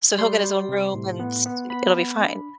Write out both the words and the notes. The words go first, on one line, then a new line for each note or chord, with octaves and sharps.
So, he'll get his own room, and, s e it'll be fine.
G3 C6
G3
C3
A2
B3
B3
B3 B5
B3
D4